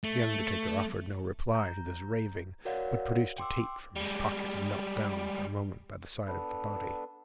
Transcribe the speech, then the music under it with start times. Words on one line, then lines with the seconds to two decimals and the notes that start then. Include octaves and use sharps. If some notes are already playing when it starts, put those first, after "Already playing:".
The undertaker offered no reply to this raving; but producing a tape from his pocket, knelt down for a moment by the side of the body.
0.04 A3
1.54 A#5 G6
2.65 F#4 A#4 C#5 D5 F5 F#5
3.38 G5 C6 D6 E6
3.96 G3 G#3
6.27 B3 D4 A4 B4